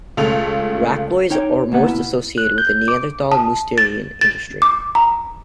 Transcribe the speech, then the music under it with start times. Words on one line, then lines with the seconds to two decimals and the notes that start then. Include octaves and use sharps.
Racloirs are most associated with the Neanderthal Mousterian industry.
0.17 C#2 C#3 A3 A4 F7
1.30 D#4 C#5 G5
1.72 D2 A#3 B3 F#5
1.87 B2 E4
2.38 F#6
2.58 G6
2.88 D6
3.32 A5
3.78 A6
4.21 A6
4.62 D6
4.95 A#5